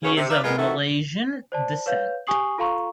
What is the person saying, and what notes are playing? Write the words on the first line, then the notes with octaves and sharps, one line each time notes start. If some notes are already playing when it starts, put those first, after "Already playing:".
He is of Malaysian descent.
F#2 C#3 B3 C#5
C3
D#4 B4 D5 E5 F5
A#2 G#3 B3 F4 A#4
D#3 E3 A3 F#4
C5 D5 A5
B4 C#5 F5 G6
G4 G#5 C#6 D#6 C7 F#7
F4 A4 F5 A#5 C6 C#6